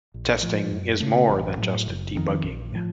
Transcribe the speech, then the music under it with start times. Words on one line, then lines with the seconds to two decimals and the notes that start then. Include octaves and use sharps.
Testing is more than just debugging.
0.14 A#1
0.42 A2 F3
0.71 F#2
1.00 C#3 A3
1.29 A1
1.58 A2 F#3
1.86 F#1
2.15 F2 C3 D#3
2.43 A#1
2.72 A2 F3